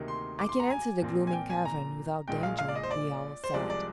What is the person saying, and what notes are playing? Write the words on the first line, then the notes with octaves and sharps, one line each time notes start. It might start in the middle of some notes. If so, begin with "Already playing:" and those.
"I can enter the gloomy cavern without danger," the owl said.
Already playing: D2 C3 D#3 A#3 D#4
C6
D6
C6
A#5
G#5
A#2 F3 C4 F4
G#5
G5
G#5
A#5
A#1 A#2 G#3 G5
F5
F5
D5
D#5
C5
D5
C5
C2 C3 F3 G#3 D5
D5